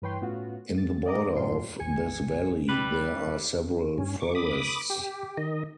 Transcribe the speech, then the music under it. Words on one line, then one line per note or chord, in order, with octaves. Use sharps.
In the border of this valley there are several forests.
G2 E3 B4 C#5 G5 C6
A2 B3 C#4 F4 F#4
A6
D5 D#5 A#5 D6
F#2 A2 F#3 F4 C6
A#1 E2 G#5 C#7
G3 B4
G2 C#4
C#6 D6
B5 D6 D#6
G4
D#3 D#5